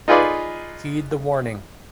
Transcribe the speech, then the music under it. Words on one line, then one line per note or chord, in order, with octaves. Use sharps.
Heed the warning.
D#4 F4 G#4 B4 D5